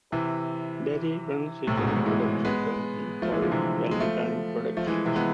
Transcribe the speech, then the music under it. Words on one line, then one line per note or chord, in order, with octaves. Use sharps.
Berry runs his own production company called Valentine Productions.
C3 E3
A2 C3
G#2 B2
G#2
A2
E3 G#3
G#3 B3
F3 A3
E3 G#3
D3 F3
C3 E3
G#3
F3 A3
F3 A3
E3 G#3
C3 E3
G#3 B3